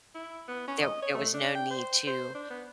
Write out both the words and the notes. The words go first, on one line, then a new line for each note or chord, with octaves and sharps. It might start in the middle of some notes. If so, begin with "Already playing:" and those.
There there was no need to
E4
B3
C#4
D#5
C#5
A3
D4
G5
C5
C5
D4
B3